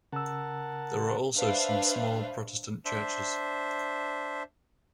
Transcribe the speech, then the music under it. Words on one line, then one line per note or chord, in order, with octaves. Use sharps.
There are also some small Protestant Churches.
C#3 A#4 F#5 A5 E6
D4 B4 C5 E5 F5
D4 C5 E5